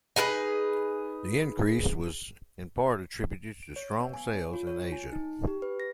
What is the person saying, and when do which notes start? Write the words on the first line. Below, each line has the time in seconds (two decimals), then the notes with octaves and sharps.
The increase was in part attributed to strong sales in Asia.
0.16 D#4 G#4 A#4 B4
3.63 D7
3.76 C#5
4.00 B3
4.14 G#5
4.34 C#5
4.53 F4
4.67 C#5
4.92 G#5
5.13 D#4
5.47 G4
5.62 B4
5.80 A#6